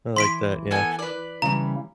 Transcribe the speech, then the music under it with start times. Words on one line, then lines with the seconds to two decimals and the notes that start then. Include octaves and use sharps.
I like that, yeah.
0.16 E3 C6 B6 D7
0.71 B3 A4 G#5
0.99 B4 D5
1.42 C#3 E3 G3 A#5